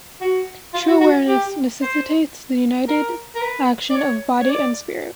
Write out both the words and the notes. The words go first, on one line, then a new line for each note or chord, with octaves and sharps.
True awareness necessitates the united action of body and spirit.
F#4
F4
F#4
F#4
G4
C5
A#4
A#4
B4
D5
C#5
C#5
D5